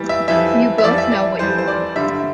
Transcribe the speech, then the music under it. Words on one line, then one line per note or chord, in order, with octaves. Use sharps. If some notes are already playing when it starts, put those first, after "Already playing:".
You both know what you want.
Already playing: E3 G3
E5
F2 E3 G3 E5
E5
F2 E3 G3 D5
E5
D5
F2 E3 G3 C5
C5
D5
G2 D3 G3 E5